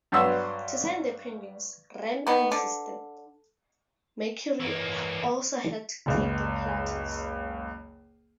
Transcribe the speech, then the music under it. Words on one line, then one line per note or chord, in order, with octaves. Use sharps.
To sign the Penguins, Ram insisted, Mercury also had to take the Platters.
G2 F#3 B3 C6 E6
D#3 B3
D3
E3 A#3
F#1 C#2